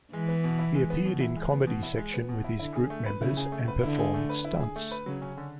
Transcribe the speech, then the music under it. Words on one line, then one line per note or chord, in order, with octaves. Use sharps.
He appeared in comedy section with his group members and performed stunts.
E3 G#3
B3
B2
E4
G#3
B3
B2
E4
G#3
B3
B2
E4
G#3
B3
B2
E4
D3 E4
G#4
A3
B4
C#3 E4
G#4
A3
B4
D3 E4
G#4
A3
B4
E4
G#4
A3
B4
C#3 F#3
C#4
D3